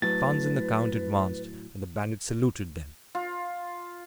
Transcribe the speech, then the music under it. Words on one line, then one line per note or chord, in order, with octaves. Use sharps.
Franz and the count advanced, and the bandit saluted them.
A2 F#3 B4 A6
F4